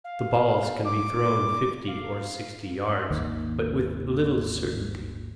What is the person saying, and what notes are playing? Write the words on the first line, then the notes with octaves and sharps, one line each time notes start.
The balls can be thrown fifty or sixty yards, but with little certainty.
F5
D6
F5
G#1 D#2 D#3 A#3